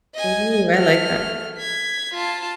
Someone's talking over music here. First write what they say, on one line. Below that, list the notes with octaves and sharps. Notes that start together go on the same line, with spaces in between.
Mhm. I like that.
D#5 G#5
A3 F6
G#6 B6
F4 A5